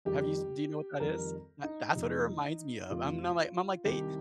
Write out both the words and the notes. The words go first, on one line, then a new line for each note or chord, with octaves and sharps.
Have you s do you know what that is? Tha that's what it reminds me of, I'm not, like I'm like, they
F2 D#3 G3 G4
F2 D#3 G3 A#4
D#4
F1 F2 C3 F3
F1 F2 C3 F3 F4
C2 C3 D#3 G4